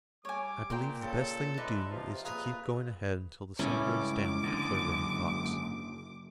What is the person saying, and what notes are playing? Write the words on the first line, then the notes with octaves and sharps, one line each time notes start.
"I believe the best thing to do is to keep going ahead until the sun goes down," declared Running Fox.
G3 C#5 G#5 D6
A#2 A#4 C5 G5
C#3 A4
G#3 D#4 B4 D5 E5
C3 F3 F4
A#2 F4 G#4 B4 D#5 A#5
C#2 G2 C#4 E4 A4 D6
F#1 G#2 D3